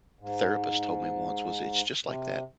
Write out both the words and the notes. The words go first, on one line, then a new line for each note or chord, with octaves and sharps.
therapist told me once was it's just like that,
G#2
C3